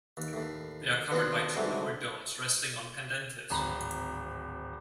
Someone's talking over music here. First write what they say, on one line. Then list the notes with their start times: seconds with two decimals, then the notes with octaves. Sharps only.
They are covered by two lower domes resting on pendentives.
0.17 D#2
0.33 D#2 A2
1.11 D#2 B3 C4 D4 F#4 A5
1.56 G#2 C3 F#3 G3 A3
3.50 D1 G#1 A#5 B5